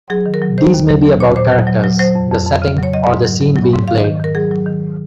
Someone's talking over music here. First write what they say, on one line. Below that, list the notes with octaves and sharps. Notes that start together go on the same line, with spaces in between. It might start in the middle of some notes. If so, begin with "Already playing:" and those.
These may be about characters, the setting, or the scene being played.
F#3 G#4
D#3
A#4
F#3
D#3 C5
D#2
F#3
F#3
A#2 C#5
A#2 C5
F#3
F#3
F#3
F#3 C5
F2
F2
F2
C#3
F#3
C#5
F#3 D#5
G#2
F#3
F#3
F#3
G#2
D#3 F5
D#5
D#3
D#3 A#4
F#3 G#4
F#3
D#3